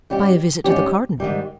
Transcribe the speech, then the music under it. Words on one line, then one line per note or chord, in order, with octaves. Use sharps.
"By a visit to the cardinal."
G#2 G3 C#4 G4
G#2 G3 C#4 G4
G#2 D#3 G3